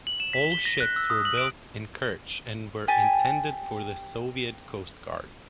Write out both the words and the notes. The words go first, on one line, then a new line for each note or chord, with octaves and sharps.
All ships were built in Kerch and were intended for the Soviet Coast Guard.
F#7
E7
B6
G7
A#6
F#6
E6
D#6
F#7
D7
G4 G#5 A5